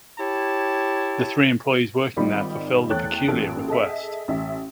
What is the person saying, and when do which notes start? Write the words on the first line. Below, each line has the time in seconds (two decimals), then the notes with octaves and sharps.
The three employees working there fulfill the peculiar request.
0.18 E4 G4 C#5 A5
2.16 G#1 D#3 G3 D#4 F4 B5
2.89 E2 A3 C#5 G5 F#6 A6
3.28 A1 A#2 A4 D7
3.68 G#4 A4 D#5 E5
4.28 A1 E5